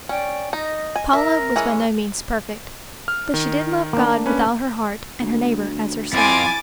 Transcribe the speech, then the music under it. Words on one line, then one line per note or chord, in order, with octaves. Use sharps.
Paula was by no means perfect, but she did love God with all her heart and her neighbor as herself.
C#4 D5 G5
D#4 D#5
G#5
A#4 E5
E3 G#3 C#4
F6
D#3
A#3 D4
C#4 B4
D2
F2 C4 E4 G#5 D6 A6